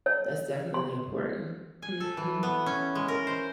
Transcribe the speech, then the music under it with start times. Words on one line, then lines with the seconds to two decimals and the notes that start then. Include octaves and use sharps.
That's definitely important. Mhm.
0.06 C#5
0.74 C6
1.82 G#5
2.00 A4
2.17 E3
2.43 B3
2.66 C#4
2.95 G#3
3.08 A#4
3.27 C5